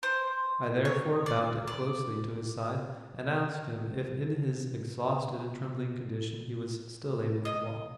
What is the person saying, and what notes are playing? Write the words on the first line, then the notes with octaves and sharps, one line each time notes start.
I therefore bound it closely to his side, and asked him if in his exhausted and trembling condition he was still able to walk.
C5
C#5
D5
D5
D#5